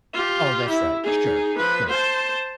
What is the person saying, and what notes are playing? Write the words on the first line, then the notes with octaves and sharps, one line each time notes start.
Oh, that's right, sure, sure.
F4 G4
E4
D#4 G#4
F3 B4
C5 A5